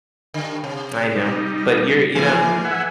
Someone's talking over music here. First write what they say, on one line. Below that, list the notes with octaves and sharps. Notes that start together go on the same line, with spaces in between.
I know. But you're you know?
G2 D3
C3
G3 D#4
G#2 E3 F3 A#3 G#4
E5 F#5 G#5